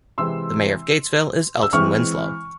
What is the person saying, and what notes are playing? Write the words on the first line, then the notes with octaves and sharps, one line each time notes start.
The mayor of Gatesville is Elton Winslow.
C3 E3 G#3 C4 C6 E6
E6
E3 G#3 C4 E4 C#6 F6